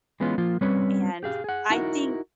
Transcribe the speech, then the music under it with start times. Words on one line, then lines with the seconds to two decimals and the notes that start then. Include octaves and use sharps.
and I think
0.20 E3 G#3 B3 C#4 F4
0.38 F3 A#3 F4
0.61 G3 C4 C#4 B4 C#5
1.23 G4 G#4 F5
1.44 G#4 F#5
1.70 D#4 E4 F#4 A#4